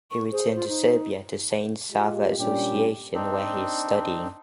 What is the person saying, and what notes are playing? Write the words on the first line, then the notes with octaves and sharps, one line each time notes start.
He returned to Serbia, to St Sava association, where he his studying.
C#6
G#4 C5
F4
D#4
G#3 F4 G4
A#2 G3 C#4 D4 G4
C4 D4 D#4